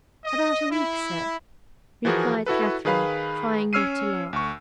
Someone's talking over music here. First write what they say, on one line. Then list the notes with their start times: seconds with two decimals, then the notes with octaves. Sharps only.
"About a week, sir," replied Catherine, trying not to laugh.
0.25 D#5
0.70 E4
2.05 E3 F3 F#4 G#4 A#4
2.46 E4 F#4 A4 B4
2.85 D#3 G#4 B4 F5 B5
3.73 C#4 C#5 E6 F6 C7 D#7
4.33 D2 C#6